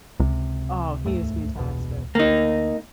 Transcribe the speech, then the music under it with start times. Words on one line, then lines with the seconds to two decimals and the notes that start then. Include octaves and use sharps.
Oh, he is fantastic.
0.20 C#2 C3
1.06 D#2 G#2 A3
1.55 A#1 E2 B2
2.15 D2 A#3 D#4